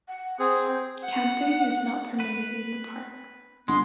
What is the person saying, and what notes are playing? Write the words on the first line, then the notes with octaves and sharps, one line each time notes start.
Camping is not permitted in the park.
F#5
C4 G#4 D#6
C5
F#5
B4
G1 G#3 B3 C6